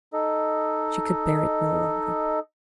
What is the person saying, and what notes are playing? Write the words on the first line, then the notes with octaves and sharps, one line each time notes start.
She could bear it no longer.
D#4 A4 D#5